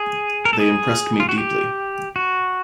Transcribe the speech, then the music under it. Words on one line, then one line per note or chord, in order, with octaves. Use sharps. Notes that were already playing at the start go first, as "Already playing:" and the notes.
They impressed me deeply.
Already playing: G#4
A#4
A4
G#4
F4
F#4
G4
F#4